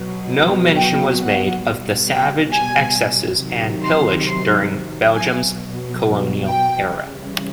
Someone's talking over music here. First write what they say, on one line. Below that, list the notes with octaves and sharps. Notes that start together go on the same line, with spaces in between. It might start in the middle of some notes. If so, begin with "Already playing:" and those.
No mention was made of the savage excesses and pillage during Belgium's colonial era.
Already playing: B2 F#3
G5
F#5
B2 G3
G5
G#5
C3 D#3 F#3
C6
C6
B2 F#3 G#5
G5
C#3 E3 G3